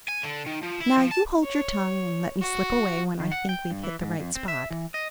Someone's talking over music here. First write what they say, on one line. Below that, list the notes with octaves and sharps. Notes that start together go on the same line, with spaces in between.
Now you hold your tongue, and let me slip away when I think we've hit the right spot.
G#5
D3
D#3
F3
E4
F3
A5
C#5
F#4
D#3
F#5
G5
G2
E3
G#2
F2
C4
E5
E3
D#5